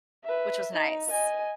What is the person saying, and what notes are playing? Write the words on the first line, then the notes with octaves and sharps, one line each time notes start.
which was nice.
B4 E5
D#4
D#5 G#5